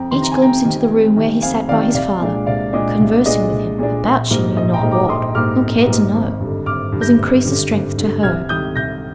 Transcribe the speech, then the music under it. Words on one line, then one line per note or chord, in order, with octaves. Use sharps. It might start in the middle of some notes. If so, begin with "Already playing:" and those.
Each glimpse into the room where he sate by his father, conversing with him, about, she knew not what, nor cared to know,--was increase of strength to her.
Already playing: F2 G5 A#5
C3 D#3 C6
A#5
G#5
F2 G5 A#5
C3 D#3
F2
C3 D#3
F2 F5 G#5
C3 D#3 D5 F5
C2 D5 F5
A#2 G#3 D4
C2 D5 F5
A#2 G#3 D4 D#5
C2
A#2 G#3 D4 D#5
C2
A#2 G#3 D4
A#1
G#2 G3 A#3 D#4
A#1 D#5
G5 A#5
G#2 G3 A#3 D#4
A#5 D6
A#1 C6 D#6
G#2 G3 A#3 D#4 D6 F6
A#1
G#2 G3 A#3 D#4
G#1
G2 D3
G#1 D6 F6
G2 D3
G6 A#6
G#1
G2 D3
G#1
G2 D3
C2 F6 G#6
C3 D#3 G3 D#6 G6
C2 G6 A#6